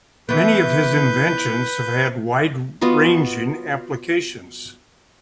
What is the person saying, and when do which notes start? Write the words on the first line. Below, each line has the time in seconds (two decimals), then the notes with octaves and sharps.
Many of his inventions have had wide ranging applications.
0.29 E3 B3 B4 G6
2.81 B3 F4 F#4 D#5